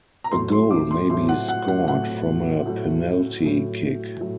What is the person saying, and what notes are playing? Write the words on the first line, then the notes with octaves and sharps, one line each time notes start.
A goal may be scored from a penalty kick.
A#5
A2 F#3 A3 C6
C6
D6
C6
A2 F#3 A3 C6
F#5
F#5
F#5
A2 F#3 A3 F#5
A2 F#3 A3
A2 F#3 A3
A2 F#3 A3